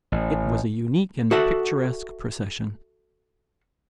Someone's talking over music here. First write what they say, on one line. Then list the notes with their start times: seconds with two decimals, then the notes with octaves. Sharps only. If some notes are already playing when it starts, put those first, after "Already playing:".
It was a unique and picturesque procession.
0.12 A1
1.31 F#4 A4 E5 F#5